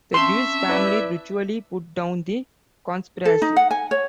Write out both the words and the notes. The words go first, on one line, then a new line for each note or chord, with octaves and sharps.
The Guise family brutally put down the conspiracy.
C4 C#4 E5 A5 C6
E4 B4 D5
A4
D#4
F#5
G#5
C#5